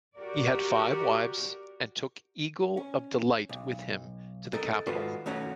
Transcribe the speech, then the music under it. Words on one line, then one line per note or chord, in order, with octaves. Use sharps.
He had five wives, and took Eagle of Delight with him to the capital.
F#4 G4 A#4 D5
C#4
B1
A4 A#4 D#5
G#2 D#3 F4 F#4 A4 B4
D#3 A3 C#4 F#4 C#5 F#5